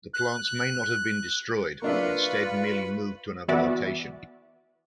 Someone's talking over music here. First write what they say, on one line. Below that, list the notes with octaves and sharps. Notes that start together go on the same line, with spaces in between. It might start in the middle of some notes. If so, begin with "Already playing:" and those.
The plants may not have been destroyed, instead merely moved to another location.
F#6
A#3 D4 F4 B4 E5 C#6
E3 B3 F#4 D5 E5